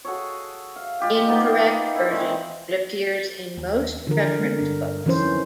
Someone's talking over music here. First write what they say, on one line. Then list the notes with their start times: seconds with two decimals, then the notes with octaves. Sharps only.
Incorrect version that appears in most reference books.
0.05 F#4 G#4 A4 C#5
0.76 F5
1.00 G#3 F4 G4 G5
1.27 A#3 B3 D#4
1.95 E4 A4 C5
2.09 A#2 D#3 G#3 C4
3.57 D#2
4.07 D3 E3 F3 A#4
4.39 G#3 A3 B3
4.58 G1 G2 D4
5.06 F2 D#3 E3 F#3 C#4 C5